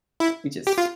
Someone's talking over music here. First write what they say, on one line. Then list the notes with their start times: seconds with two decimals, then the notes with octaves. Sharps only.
You just
0.20 E4
0.67 G4
0.78 F4